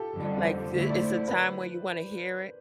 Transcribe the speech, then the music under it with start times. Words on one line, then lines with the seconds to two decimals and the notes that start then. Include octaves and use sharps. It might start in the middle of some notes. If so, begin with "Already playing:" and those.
like, th it's a time where you wanna hear it
Already playing: F4 G4 A4
0.16 F2 D3 G3
0.43 C5
0.72 D3 A3 E4 C5
0.90 D5
1.00 C5
1.28 B4